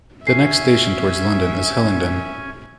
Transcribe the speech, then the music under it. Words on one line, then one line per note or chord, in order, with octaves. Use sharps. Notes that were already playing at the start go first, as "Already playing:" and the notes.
The next station towards London is Hillingdon.
C#4 E5 G#5 C7